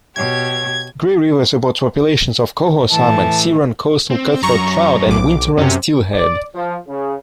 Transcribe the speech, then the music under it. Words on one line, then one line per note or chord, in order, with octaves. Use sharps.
Grays River supports populations of coho salmon, sea-run coastal cutthroat trout, and winter-run steelhead.
B2 G4 C#5 G#6
A2 E3 A5
C4
F#2 A#5 C#6
B1 D6
F#2 C3 C#4
D5
F3
C#3